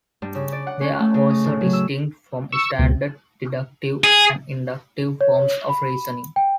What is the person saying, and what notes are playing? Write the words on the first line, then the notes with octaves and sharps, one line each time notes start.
They are also distinct from standard deductive and inductive forms of reasoning.
G2
C#3
D5
F#5
C#4
A3
C#3
D#5
A2
F#3
E6
C#6 E6
C#2 B2
G#4
C#5
B5
G5